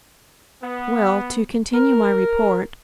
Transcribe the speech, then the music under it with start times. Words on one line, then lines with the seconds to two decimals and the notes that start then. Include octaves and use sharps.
Well, to continue my report.
0.62 B3
1.73 A#4